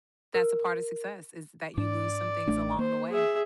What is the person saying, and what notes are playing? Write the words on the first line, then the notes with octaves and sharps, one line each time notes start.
that's a part of success, is that you lose some things along the way,
A#4
G#2 D4 D5
A1 A3 D4
A#3 C5
G#4 E5